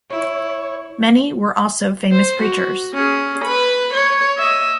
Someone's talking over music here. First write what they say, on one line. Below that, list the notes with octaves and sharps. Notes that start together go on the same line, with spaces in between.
Many were also famous preachers.
E4 C#5
C5
F#4
C#4 G#4
B4 B5
C#5
D#5 E5